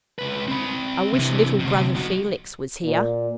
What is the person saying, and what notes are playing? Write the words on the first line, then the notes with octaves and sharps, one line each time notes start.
I wish little brother Felix was here!'
C#2 B4
C4 B5
C3 E3
D2 C3
B2 F#3
A#2